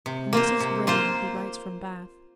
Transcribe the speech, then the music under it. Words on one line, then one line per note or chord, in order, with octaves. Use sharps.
"A Mrs. Vrain, who writes from Bath."
C3
A#3 F4 C5
C3
A#3 F4 C5